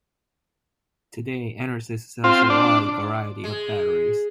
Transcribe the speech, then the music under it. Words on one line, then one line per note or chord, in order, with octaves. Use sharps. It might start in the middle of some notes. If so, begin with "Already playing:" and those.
Today, Enersys sells a wide variety of batteries.
C4 F4
D4
G#3